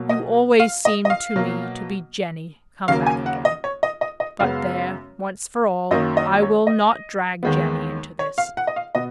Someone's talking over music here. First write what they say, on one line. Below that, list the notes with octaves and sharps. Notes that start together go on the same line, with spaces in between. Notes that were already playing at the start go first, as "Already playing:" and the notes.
You always seemed to me to be Jenny come back again; but there, once for all, I will not drag Jenny into this.
Already playing: B2 F#3 A#3
D#5
F5
D#5
D#5
F5
B2 F#3 A#3
D#2 C#3 F#3 A#3 F5
G#5
F#5
D#5
C#5
D#5
D#5
D#5
F#2 C#3 G#3 B3 F5
F#2 D#3 F#3 A#3 D#5
D#5
C#5
D#5
D#2 D#3 G#3 B3
C#5
F5
F#5
D#5
F5
B2 B3 D#5